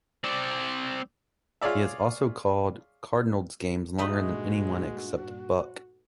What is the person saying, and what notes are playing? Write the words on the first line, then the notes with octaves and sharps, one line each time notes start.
He has also called Cardinals games longer than anyone except Buck.
C4 D5
F4 G#4 C#5 D5 E5
G2 A#2 G#3 A3 D4 D#4 F#4 B4